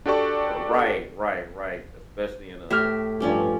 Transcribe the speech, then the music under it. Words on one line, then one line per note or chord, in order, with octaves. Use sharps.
Right, right, right especially in a, you know,
D4 F#4 G4 A4 D5 C#6
A2 G4 E5 F6
G2 F3 C#4 G4